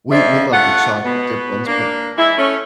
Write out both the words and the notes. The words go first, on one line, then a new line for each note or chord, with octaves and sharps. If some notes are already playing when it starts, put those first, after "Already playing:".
We we loved the chocolate chip ones, but
F2 F3 D5 E5
A3 F4 F#5
B2 B3
A#3 D4
E3 G#3 E4
A3 C#4